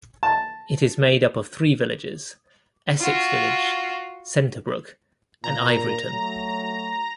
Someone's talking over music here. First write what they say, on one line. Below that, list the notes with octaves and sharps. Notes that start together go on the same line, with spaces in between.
It is made up of three villages: Essex Village, Centerbrook, and Ivoryton.
A5
F4 F#4
A#2 A#5
F#3 A3